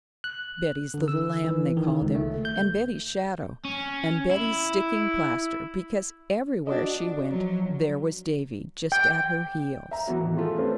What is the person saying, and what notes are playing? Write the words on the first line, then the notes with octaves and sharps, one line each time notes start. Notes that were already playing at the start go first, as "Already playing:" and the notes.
Betty's little lamb, they called him, and Betty's shadow, and Betty's sticking-plaster, because everywhere she went there was Davy just at her heels.
F#6
D3
E6
E3
D#3
C#2
A3
G6
C#4
E4
D4 F#4 D#5
F3 F#3
G5
E5 A#5
E3 F#3 B3 F#4
A2 D#3
A3 F4 G#4
C4 C#4 G4 A4 B4 C5